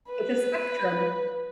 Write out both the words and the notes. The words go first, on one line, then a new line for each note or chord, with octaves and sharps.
It's a spectrum.
B4